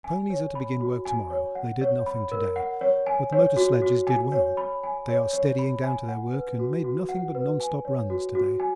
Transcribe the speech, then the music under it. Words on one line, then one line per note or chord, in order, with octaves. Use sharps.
The ponies are to begin work to-morrow; they did nothing to-day, but the motor sledges did well--they are steadying down to their work and made nothing but non-stop runs to-day.
G#5
C#5
B5
F#4
G#5
C#5
F#5
C#5
B5
A#4
F#5
C#5
G#5
C#5
F#4
F#4
G#5
C#5
B5
G#5
C#5
C#5
B5
G#5
F#5
B4
F#4
F#4
F#5
B4
G#5
C#5
F#4
F#4
G#5